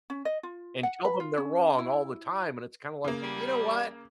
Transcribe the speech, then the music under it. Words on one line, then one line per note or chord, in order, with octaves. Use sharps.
and tell them they're wrong all the time, and it's kinda like, "You know what?"
C#4
D#5
F4
F#5
B4
F4
C#4
E4
C#3 A#3
E2 G3